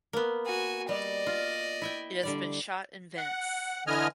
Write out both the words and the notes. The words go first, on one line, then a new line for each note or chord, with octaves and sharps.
It has been shot in Venice.
A#3 B3
F#4 G#5
G3 D5 D#5
F4
E4 E5 G5
D3 G3 D5
F#5
D3 E3 D#5 G#5 F6